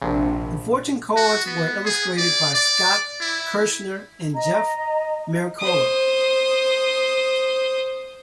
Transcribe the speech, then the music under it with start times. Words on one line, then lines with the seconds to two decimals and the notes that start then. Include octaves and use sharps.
The Fortune cards were illustrated by Scott Kirschner and Jeff Miracola.
0.02 A#1 C3
1.17 F#4
1.46 B3
1.85 G#4
2.17 D5
2.54 D5
3.20 E4
4.35 D#5 A#5
5.60 C5 D#6